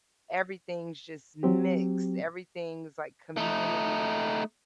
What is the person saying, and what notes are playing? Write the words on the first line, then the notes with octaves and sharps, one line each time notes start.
everything's just mixed! Everything's like community,
F#3 C4 G4
A3 D#4